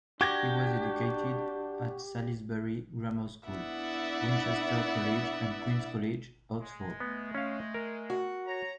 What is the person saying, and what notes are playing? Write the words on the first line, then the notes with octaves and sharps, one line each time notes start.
He was educated at Salisbury grammar school, Winchester College and Queen's College, Oxford.
D4 F#4 G4 D6 G#6 A#6
B3 D4 E4 D5 E5 F#5
G#3
A3 B3
C#4 F5
A#4
F#4
C#5 A#5